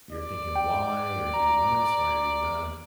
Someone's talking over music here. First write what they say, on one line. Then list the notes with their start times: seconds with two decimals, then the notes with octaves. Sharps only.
you're thinking, "Why are you doing this? Why are you doing that?"
0.12 D5
0.56 G5
1.34 A#5